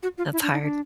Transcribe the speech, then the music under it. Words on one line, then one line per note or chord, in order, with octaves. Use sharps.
that's hard.
F#4
F4
E4
D4
D#4
D4